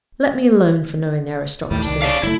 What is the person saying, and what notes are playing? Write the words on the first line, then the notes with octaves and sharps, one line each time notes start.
Let me alone for knowing the aristocracy.
D#2 A2 G3
C2 D#3 D4
D4 C#5 D5 E5 F5
F#1 A3 E4